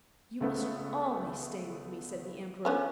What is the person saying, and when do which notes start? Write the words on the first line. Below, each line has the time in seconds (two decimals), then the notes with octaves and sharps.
"You must always stay with me," said the Emperor.
0.41 C#2 A3 B3
2.65 D3 B3 C#4